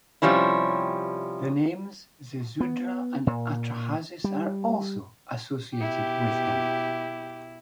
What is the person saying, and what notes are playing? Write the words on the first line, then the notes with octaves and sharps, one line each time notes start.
The names Ziusudra and Atrahasis are also associated with him.
C3 F3 G3 C#4 E4
B3
A#2
G3
B2 E4 G4